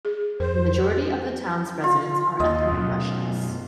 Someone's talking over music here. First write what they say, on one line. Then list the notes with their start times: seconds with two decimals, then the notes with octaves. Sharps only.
The majority of the town's residents are ethnic Russians.
0.05 G#4
0.40 F2 A#4 C5
1.84 F4
2.40 D#2 D#5
2.71 F#2 B2